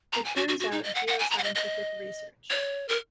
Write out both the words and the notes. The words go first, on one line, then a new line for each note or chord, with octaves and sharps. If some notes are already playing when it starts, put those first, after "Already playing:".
It carries out geoscientific research.
A#5
G#5
F#4
F#4
F#4
D#4
D#5
F#5
F#5
G#5
A#5
F#5
D#5
D#5
C#5
A#4